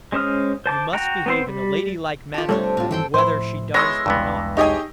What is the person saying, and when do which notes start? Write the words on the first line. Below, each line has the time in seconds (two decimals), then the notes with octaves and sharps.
You must behave in a lady-like manner whether she does or not.
0.12 G#3 C#4 C5 D#6 F6
0.66 C5 A5 D6
0.93 F#4 G5 A#5
1.26 B3 C4 C5
1.47 G3
2.34 F4 G4 A4 A5
2.49 C3 G3 A3 C4 D4 A4 C#5
2.77 A2 F#3 C4 F4
2.91 G2 D#3 E3 A4 G5 C6
3.14 A2 F3 E4 C5
3.74 G#3 B3 E4 C#5 C6 E6 A#6
4.06 B1 E2 G2 E3 G#3 B3
4.57 D#4 G4 G#4 C#5 D#5